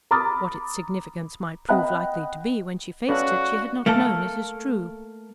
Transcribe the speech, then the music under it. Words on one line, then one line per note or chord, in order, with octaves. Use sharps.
What its significance might prove likely to be when she faced it, she had not known, it is true.
A#5 B5 D6 D#6 F6 A6
D#5 F#5 G5 B5 F#6
C#4 F#4 A4 B4 D5 F5 F#6
A3 A#3 A4